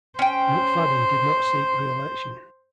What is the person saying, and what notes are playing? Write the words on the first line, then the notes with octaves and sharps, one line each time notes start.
McFadden did not seek re-election.
C#4 C5 G5